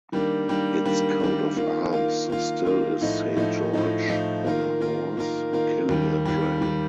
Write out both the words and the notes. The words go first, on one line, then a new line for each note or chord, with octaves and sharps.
Its coat of arms still is Saint George on a horse, killing a dragon.
D#3 G3 A#3 D4
D#3 G3 A#3 D4
D#3 G3 A#3 D4
D#3 G3 A#3 D4
D#3 A#3 F4
D#3 A#3 F4
D#3 A#3 F4
D#3 A#3 F4
A2 F3 A3 D#4
A2 F3 A3 D#4
A2 F3 A3 D#4
A2 F3 A3 D#4
D#3 A#3 F4 A#4
D#3 A#3 F4 A#4
D#3 A#3 F4 A#4
D#3 A#3 F4 A#4
D#2 D#3 G3
D#2 D#3 G3
D#2 D#3 G3